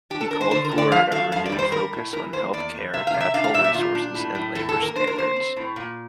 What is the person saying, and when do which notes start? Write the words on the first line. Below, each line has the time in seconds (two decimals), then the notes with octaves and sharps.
He called for a renewed focus on health care, natural resources and labour standards.
0.10 D4 G4
0.21 A4
0.31 D4 A#4
0.41 C5
0.51 D3 C5
0.65 A#4
0.71 D3
0.78 D5
0.92 F3 F5
1.12 A3 F5
1.32 F2 F5
1.46 D5
1.52 G3
1.59 C5
1.72 G3 A#4
1.93 A2
2.13 E3 A#4
2.33 A#3 C5
2.53 E2 D5
2.73 A3
2.93 C3 E5
3.07 F5
3.14 C3
3.20 E5
3.34 D4 F5
3.44 F5
3.54 A#2 E5
3.64 E5
3.74 A#2 F4
3.95 D4
4.15 A2
4.35 A2
4.55 E2 A4
4.69 A4
4.76 A#3
4.82 A#4
4.96 D4 C5
5.07 A#4
5.16 A#3 C5
5.36 C4
5.56 A2
5.76 A#2